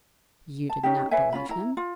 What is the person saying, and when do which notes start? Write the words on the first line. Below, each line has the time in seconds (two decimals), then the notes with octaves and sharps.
"You did not believe him?"
0.70 A5
0.83 C#4 D#4 G4
1.11 B4 C#5 E5 G#5
1.33 C#4 F4 B5
1.49 E4 A#5
1.77 F4